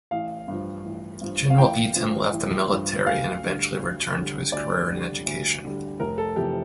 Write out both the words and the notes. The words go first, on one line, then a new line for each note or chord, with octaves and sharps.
General Eaton left the military and eventually returned to his career in education.
A1 F5
G2 F3
A1
G2 F3
F5
A1 G5
G2 F3
A1
G2 F3
D2 F5
D3 G3
D2
D3 G3
D2 D5
D3 G3
D2
D3 G3
F1 A#4
A4
F2 C3 E3 G4